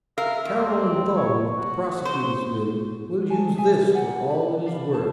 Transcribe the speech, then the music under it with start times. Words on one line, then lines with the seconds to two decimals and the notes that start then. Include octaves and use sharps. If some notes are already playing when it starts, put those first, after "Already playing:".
Carroll and Thong, with the prosecutor's men, will use this for all it is worth.
0.18 A#4 E5 F5
0.45 E2
0.57 C4
1.16 C#5
1.57 F#4
2.05 C5
3.29 C5 G#5 A5
3.56 G#4 E5 G#5
3.95 F#5 G#5
4.30 B5
4.66 D5 F5 B5
4.93 C5 A5